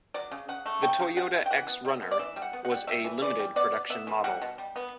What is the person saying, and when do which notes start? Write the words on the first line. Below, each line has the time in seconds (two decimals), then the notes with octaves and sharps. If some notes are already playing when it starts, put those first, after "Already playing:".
The Toyota X-Runner was a limited production model.
0.14 F#3 D5
0.31 C#3
0.49 C#3 F#5
0.66 A3
0.83 F#3 G5
0.99 C#3
1.17 C#3 F#5
1.34 C#3
1.46 G5
1.51 E3 F#5
1.68 B3
1.85 G3
2.02 B3
2.11 D5
2.19 E3 E5
2.36 G3
2.42 F#5
2.53 B3
2.65 F#5
2.71 G3
2.87 G3 E5
3.05 E3
3.22 E3 D5
3.39 G3
3.56 B3 D5
3.73 B3
3.90 B3 E5
4.07 E3
4.24 G3 F#5
4.42 B2
4.58 G3
4.76 B3